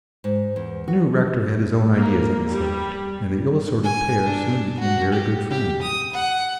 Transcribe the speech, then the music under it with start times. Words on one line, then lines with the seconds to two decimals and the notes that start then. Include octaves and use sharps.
But the new rector had his own ideas on the subject, and the ill-assorted pair soon became very good friends.
0.24 G#2
0.56 E2
0.88 F#4
1.92 A#3
2.49 G3
3.84 G#5
4.26 D4
4.80 F#4
5.12 G4
5.50 G4
5.82 D#6
6.13 F#5